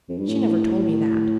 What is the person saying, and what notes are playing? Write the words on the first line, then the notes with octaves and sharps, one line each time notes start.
She never told me that.
F2
G2
A2